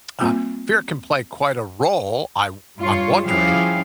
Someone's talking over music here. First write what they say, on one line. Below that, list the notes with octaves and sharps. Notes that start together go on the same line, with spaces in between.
uh, fear can play quite a role, I I'm wondering.
G3 A#3 C4 F4
G2 F4 C#5
F3 C#4 E4 G4 G#4 F5